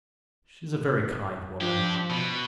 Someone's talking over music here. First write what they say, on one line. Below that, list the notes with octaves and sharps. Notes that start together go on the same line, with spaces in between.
She is a very kind woman.
F3 D4 G4
B2